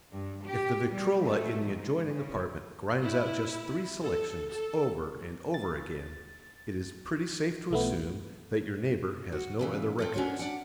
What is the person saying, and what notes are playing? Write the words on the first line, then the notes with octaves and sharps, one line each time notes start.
If the Victrola in the adjoining apartment grinds out just three selections over and over again, it is pretty safe to assume that your neighbor has no other records.
G2
G4
G3
A3
G#2
C#3
E4
A4
A4
A6
B1 A3 B3
F#4
A#2 C#3 E3
C4 F4 A4
C#4 D4 F#4 C5 C#5
D4 D5 F#5